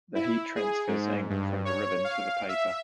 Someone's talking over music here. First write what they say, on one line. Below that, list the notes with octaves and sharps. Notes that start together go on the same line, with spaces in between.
The heat transfers ink from the ribbon to the paper.
E4
G#4
G#2
G2
C#5
F5
E5